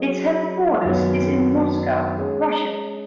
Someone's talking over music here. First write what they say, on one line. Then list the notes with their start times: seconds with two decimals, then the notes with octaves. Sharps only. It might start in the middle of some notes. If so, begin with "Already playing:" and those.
Its headquarters is in Moscow, Russia.
Already playing: F#3 C#4 G#4 D#5
0.85 F#2 D#3 F#3 B3
2.18 G#3 C#4 G#4